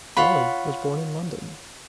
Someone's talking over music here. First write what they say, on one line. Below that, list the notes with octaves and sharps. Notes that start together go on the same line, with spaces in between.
Brolly was born in London.
F4 C#5 F#5 B5